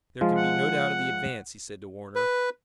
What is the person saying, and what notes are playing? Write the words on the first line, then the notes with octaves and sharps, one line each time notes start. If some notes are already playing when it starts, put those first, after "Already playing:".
"There can be no doubt of the advance!" he said to Warner.
F3 G#3 F4
F#5
B4